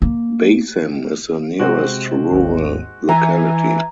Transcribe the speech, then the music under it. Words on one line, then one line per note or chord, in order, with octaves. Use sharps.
Basim is the nearest rural locality.
A#3
C3 G#3 C4 F#4
G#1 D#2
E3 E5 G#5 A#5